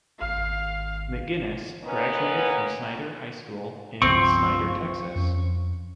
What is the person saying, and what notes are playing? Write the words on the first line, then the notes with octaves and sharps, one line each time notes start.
McGinnis graduated from Snyder High School in Snyder, Texas.
G#1 F5
A#3 B3 C#4 D#4 B4
G1 C#2 F3 C4 C#6
F2 C#4